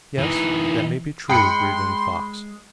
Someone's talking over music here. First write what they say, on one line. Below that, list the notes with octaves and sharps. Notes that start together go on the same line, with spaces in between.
"Yes, that may be true," agreed Running Fox.
E3 D#4
G#3 G5 B5 C6 C#7